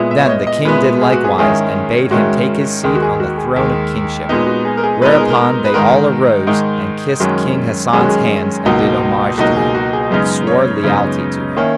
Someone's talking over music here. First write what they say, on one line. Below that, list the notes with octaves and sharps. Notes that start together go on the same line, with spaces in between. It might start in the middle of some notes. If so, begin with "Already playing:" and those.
Then the King did likewise and bade him take his seat on the throne of kingship; whereupon they all arose and kissed King Hasan's hands and did homage to him, and swore lealty to him.
Already playing: A#2 G#3 B3 E4
E5
C#5
D#5
D#5
A#2 G#3 B3 E4 B4
G#4
F#4
G#4
G#2 D#3 G#3 C#4 E4 G#4
G#2 D#3 G#3 C#4 E4 F#4
D#2 D#3 G#3 G#4
F#4
G#4
F#4
G#4
D#2 D#3 G#3 G#4
A#2 G#3 B3 D#4
F#4
G#4
A#4
G#4
A#2 G#3 B3 D#4 B4
A#4
G#4
A#4
B4
G#2 D#3 G#3 D#4 A#4
G#2 D#3 G#3 D#4
F#2 D#3 G#3 C#4 F#4
F#2 D#3 G#3 C#4 G#4
F#4
G#4
C#2 B2 F#3 A#3 D#4
C#2 B2 F#3 A#3 D#4 F#4
G#4
F#4
G#4
F#2 C#3 G#3 B3 D#4
C#5
F#2 C#3 G#3 B3 D#4
D#3 A#3 C#4 E4